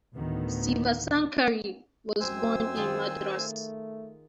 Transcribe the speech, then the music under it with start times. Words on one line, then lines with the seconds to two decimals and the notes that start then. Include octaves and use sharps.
Sivasankari was born in Madras.
0.15 D2 A2 D#3 B3
2.21 F#2 C4 C5 G#5 E6
2.76 D#3 F4 G#4
3.37 A3